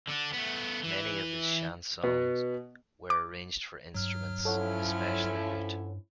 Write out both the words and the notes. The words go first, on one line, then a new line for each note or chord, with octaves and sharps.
Many of his "chansons" were arranged for instruments, especially lute.
D3 D4
A3 B3
E3
B2 B3
D6
G2 F#3 F6
F3 C#4 E4 A4 C#5 F#5